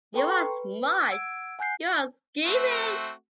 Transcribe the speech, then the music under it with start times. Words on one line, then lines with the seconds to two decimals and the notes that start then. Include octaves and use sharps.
You are smart, you are scheming!
0.14 A4 B4 G5 A#5 C6 C#6
0.41 B4
1.11 F#5 E6 G#6 D7
1.59 F#5 G#5 F#6 G6 C7
2.45 A3 C4 F#4